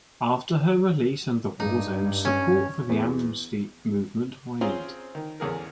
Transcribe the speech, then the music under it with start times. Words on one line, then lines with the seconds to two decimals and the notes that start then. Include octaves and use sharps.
After her release and the war's end, support for the Amnesty movement waned.
1.60 G2 D#4
2.25 C#4
2.89 E2
4.61 C4 C#4 F4 G#4 C5 A#5
5.15 D#3
5.40 A1 E2 G#4 A#4